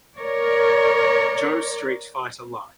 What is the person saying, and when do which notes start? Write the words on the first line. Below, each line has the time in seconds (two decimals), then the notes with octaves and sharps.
Joe Street Fighter line.
0.18 A#4 C#5 D5